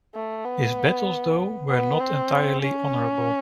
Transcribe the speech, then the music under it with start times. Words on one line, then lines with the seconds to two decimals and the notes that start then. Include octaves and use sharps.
His battles, though, were not entirely honourable.
0.15 A3
0.45 B3
1.69 B3
2.00 C4
2.61 C#4